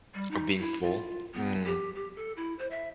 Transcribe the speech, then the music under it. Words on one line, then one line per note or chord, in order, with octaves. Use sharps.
Oh, being full? Mm.
G3
D#4
E4
F4
B3
G4
G4
A4
E4
C5
E5